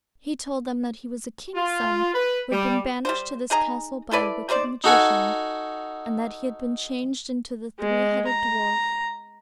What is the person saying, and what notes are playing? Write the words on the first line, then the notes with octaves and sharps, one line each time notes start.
He told them that he was a king's son, who had been banished to this castle by a wicked magician, and that he had been changed into the three-headed dwarf.
F4
B4
G3
G3 A#3 C5
D#4 G#4 D#5 A#5
E4 A4 B4 D5
G3 D#4 C5 D5
D#4 F#4 A4 F#5 G#5
G#3
A#5